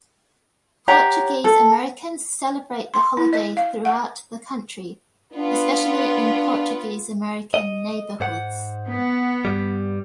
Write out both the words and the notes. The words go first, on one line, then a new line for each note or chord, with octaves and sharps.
Portuguese Americans celebrate the holiday throughout the country, especially in Portuguese-American neighborhoods.
G4 C#5 F#5 A#5
A4
C6
E4
D#5
F5
F#5
B3 D4 F4 B4
D#5
G#2 C5 F#5
B3
G2 G3